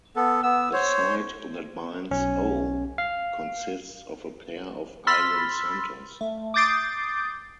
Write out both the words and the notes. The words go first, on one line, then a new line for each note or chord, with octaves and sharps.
The site that binds O consists of a pair of iron centres.
B3 A4
B3 E6
C5 C#5
B1 C#4
F5
B5 C6 E6 F6 A6 B6
A3
D6 D#6 G6 A6 C7 D7